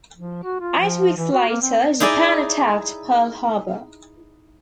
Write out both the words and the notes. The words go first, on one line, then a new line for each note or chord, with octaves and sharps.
Eight weeks later, Japan attacked Pearl Harbor.
F3
F#4
F4
F3
E3
F#4
A#3
C4
D#4 E4 G#4 D5 D#5